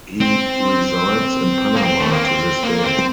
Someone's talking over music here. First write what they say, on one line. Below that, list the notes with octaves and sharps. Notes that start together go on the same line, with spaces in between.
He resides in Panama to this day.
C4
A#3
C4
A3
A#3
C4
A#3
C4